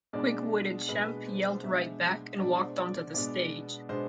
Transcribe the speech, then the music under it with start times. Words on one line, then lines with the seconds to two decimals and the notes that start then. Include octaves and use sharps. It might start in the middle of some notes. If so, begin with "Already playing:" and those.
Quick-witted Shemp yelled right back, and walked onto the stage.
0.13 B2 G#3 D4 D5
0.89 B2 G#3 D4 B4
1.07 B4
1.26 C5
1.44 C5
1.63 B2 G#3 D4 E5
2.39 B2 G#3 D4 D5
2.58 C5
2.77 D5
3.14 B2 G#3 B3 D4 D5
3.89 B2 G#3 B3 D4 C5